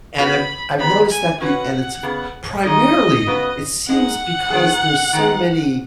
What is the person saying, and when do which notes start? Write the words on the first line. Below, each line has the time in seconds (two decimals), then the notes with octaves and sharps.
And I've I've noticed that the and it's f primarily, it seems because there's so many
0.17 C#3 B3 F#4 B4 B5
0.79 D#3 B3 G#4 B4 B5
1.11 G#5
1.41 F#3 C#4 F#4 B4 F#5
2.03 C#3 B3 G#4
2.65 D#3 F#3 D#4 G#4 D#5
3.27 C#3 B3 F#4 B4
3.89 G#3 D#4 G#4 F#5
4.50 D#3 B3 G#4
5.13 D#3 G#3 B3